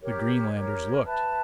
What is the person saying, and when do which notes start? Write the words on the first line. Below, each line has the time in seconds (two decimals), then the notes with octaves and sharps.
The Greenlanders looked.
0.02 G4 A#4 C#5
0.54 G4 A#4 C#5
1.05 B4 E5 A5